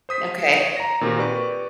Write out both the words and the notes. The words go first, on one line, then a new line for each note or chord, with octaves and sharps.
Y Okay.
C5 D#6 B6
C#5
A#5 A#6
A#2 D#3 C4 F#4 G4 A#4
G4 B4 D5 C#6